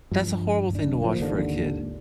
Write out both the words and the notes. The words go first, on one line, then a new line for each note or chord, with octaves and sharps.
That's a horrible thing to watch for a kid.
G2 F3
D1 D4
F3 A#3
G#1 D#2 D3